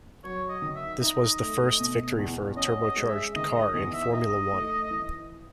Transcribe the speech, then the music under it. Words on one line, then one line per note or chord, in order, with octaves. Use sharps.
This was the first victory for a turbocharged car in Formula One.
F#3 C#5
D#5
D#3
E5
D#4 D#5
A3
B2
E2
C#4 D#5
D#5
G#3
E5
D#3 D#5
D#5
E2 D#5
E5
D#4 D#5
A3
E3